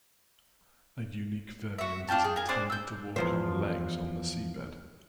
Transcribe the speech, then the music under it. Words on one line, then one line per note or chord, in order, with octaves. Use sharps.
A unique variant is intended to walk on legs on the seabed.
F#4 E5
D4 F4 G5 A5
G#4
A#4 G#5
D4 C5 D5 C6
E6 G6
E2 F3 C5